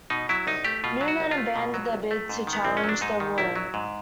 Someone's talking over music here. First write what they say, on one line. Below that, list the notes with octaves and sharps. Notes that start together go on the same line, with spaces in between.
Newman abandoned a bid to challenge the ruling.
B2 D#4
F#3 E4
C2 D#4
A3 G4
B2 F4
F#3
F#4
C2
F4
A3
B2
F#3
C2
A3
G#2
D#3
B3
A#1 C4
C#4
F#3
D4
G#2 D#4
D#3
A#1 E4
F#3
G#2